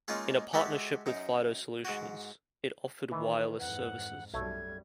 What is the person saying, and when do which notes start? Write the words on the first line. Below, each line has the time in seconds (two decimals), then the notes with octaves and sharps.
In a partnership with Fido Solutions, it offered wireless services.
0.08 G#3 A#3 C#4 D#4 F4 G#4
0.53 G#3 F#4 G4 A4 E5
1.06 F#2 D#4
1.85 G#2 F#4
3.11 D#3 E3
3.60 F2 G#2 F#5
4.34 B1 F#2 G3 A3 G#6